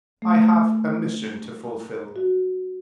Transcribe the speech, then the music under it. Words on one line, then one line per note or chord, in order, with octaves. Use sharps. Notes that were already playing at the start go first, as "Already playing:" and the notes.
I have a mission to fulfill.
A3
F#4